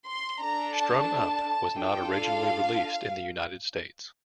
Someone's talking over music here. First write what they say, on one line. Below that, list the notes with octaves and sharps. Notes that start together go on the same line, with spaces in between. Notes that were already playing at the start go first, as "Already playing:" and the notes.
"Strung Up" was not originally released in the United States.
C6
D4 A4 A#5
A5
D4 F4 A4 G5
F5